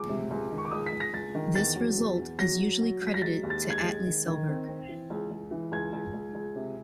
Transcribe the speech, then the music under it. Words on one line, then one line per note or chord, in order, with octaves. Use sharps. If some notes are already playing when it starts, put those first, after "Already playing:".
This result is usually credited to Atle Selberg.
Already playing: C#2 D6
C3
C#2
D#3
C#6
D6
C#2 D#6
B6
C#2
A#6
C#2 A6
D#3
E2 A6
F#3
E2
E2
F#3 A#6
F#3
F#3
F#3
B6
A#6
G#3 A6
D#2
A6
G#3
G#6
A6
G#3
D#3
D#3
C4
C4
E3
C#2
C#2
E3
C#2 G#6
C#2
C#2
C#2
C3